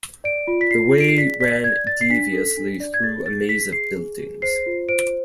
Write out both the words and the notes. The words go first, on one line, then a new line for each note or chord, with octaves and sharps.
The way ran deviously through a maze of buildings.
D5 D7
F4
B6
F4 C7
G#4
D7
C7
D5 B6
D5 B6
D5 G#6
D5 A6
C7
D4 B6
A4
D4
D5
G#6
G#4 A6
G#4 A6
G#4 B6
G#4 C7
G#4
G#4
C5 C7
F4
C5 D7